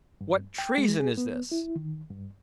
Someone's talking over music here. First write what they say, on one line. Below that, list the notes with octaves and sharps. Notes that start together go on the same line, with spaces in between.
"What treason is this?"
G2
G5
G#3
G#4
B3
E4
D#3
G2